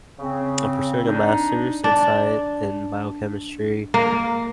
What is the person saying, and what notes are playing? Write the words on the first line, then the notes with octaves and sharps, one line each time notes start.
I'm pursuing a master's in scien in biochemistry,
C#3 C4
D4 D#4
D4
A#3